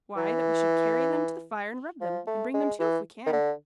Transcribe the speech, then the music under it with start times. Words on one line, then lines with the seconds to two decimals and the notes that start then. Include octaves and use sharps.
"Why, that we should carry them to the fire and rub them, and bring them to if we can."
0.16 E3
2.01 F3
2.27 A3
2.54 G#3
2.80 E3
3.26 D#3
3.33 D3